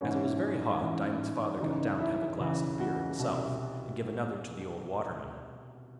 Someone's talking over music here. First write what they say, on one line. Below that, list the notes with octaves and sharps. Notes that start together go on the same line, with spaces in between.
As it was very hot, Diamond's father got down to have a glass of beer himself, and give another to the old waterman.
A1 G#2 E3 C#4
A1 G#2 E3
C#2 C#3 E3 D#4
E4
C#2 C#3 E3
F#4
C2 B2